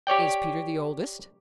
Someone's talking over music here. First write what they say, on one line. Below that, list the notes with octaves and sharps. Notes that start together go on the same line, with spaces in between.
"Is Peter the oldest?"
G4 C#5 D5 G5